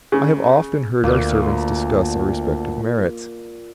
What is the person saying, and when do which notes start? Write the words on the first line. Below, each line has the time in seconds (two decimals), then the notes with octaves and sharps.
I have often heard our servants discuss our respective merits.
0.12 C#3
1.04 D2 A#2